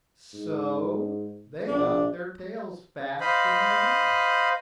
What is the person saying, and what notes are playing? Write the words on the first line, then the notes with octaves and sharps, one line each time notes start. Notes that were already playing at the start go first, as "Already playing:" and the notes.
So they got their tails fast in their mouths.
G#2
A#1 D4
C5 D#5 F5 B5